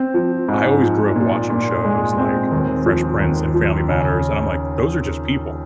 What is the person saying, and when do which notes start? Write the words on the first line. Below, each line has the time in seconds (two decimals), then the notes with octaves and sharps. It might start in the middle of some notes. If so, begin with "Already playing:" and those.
I always grew up watching shows like Fresh Prince and Family Matters, and I'm like, "Those are just people,"
Already playing: C4
0.14 F3
0.48 G#2
0.82 F3
1.16 A#2
1.50 A#2
1.84 G#3
2.18 C4
2.52 D#2
2.86 F3
3.20 D#2
3.54 F3
3.89 C#3